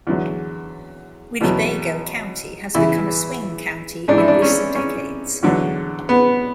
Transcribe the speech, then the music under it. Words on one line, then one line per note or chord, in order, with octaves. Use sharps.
Winnebago County has become a swing county in recent decades.
E2 D3 F#3
E2 B2 F#3
E2 C#3 E3 E4
G#2 E3 D4
E4
D4
C#4
C#4
E2 D3 F#3
B3